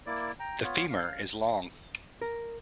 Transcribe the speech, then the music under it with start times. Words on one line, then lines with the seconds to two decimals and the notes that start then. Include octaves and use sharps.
The femur is long.
0.07 A#3 E4 D5
0.40 G5 A#5
0.63 B3 F4 C#5
0.90 F5
2.21 A#4